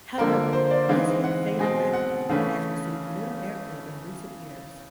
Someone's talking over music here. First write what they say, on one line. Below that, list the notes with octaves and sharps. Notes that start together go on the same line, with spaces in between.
However, this hit faded rapidly and has received little airplay in recent years.
D3 F3 A#3 A#4
C5
D5
E3 G#3 C4 D#4 F5
F#5
B2 G#3 C4 G#5
F#5
C#3 E3 A3 C#4 F5